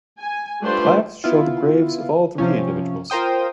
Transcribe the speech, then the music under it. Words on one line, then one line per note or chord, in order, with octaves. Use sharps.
Plaques show the graves of all three individuals.
G#5
G3 A3 D4 F4 B4 C5
B3 E4 F4
C3 F3 C#4
F4 A#4 C5 G5 D#6